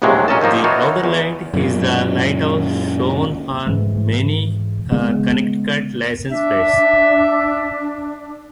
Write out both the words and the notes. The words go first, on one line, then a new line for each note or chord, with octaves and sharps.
The Outer Light is the lighthouse shown on many Connecticut license plates.
A#1 D#2 A2 C3 F#3 G#3
A#2 C#4 D#5 A5
D#3 F3 A#3 D#4
E3 D#4 F4 F#4 C#5
E2
F#2 A#2
G#2 E3 G#3
C#3 G#3 B3
D4 E5